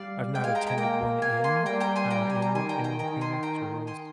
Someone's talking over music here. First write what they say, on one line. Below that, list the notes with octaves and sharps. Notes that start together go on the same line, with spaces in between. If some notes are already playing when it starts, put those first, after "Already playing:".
I've not attended one in, uh, in in Phoenix or in S
Already playing: G3 D5 F5
G#3 G5
F5 G#5
G5 A#5
G5 A#5
A#3 G5 A#5
F5 G#5
G#5 C6
G3 G5 A#5
G5 A#5
G#5 C6
G5 A#5
G#5
A#5
D#3 G#5 C6
G5 A#5
G5 A#5
D#3 G5 A#5
G#5 C6
G5 A#5
G#5 C6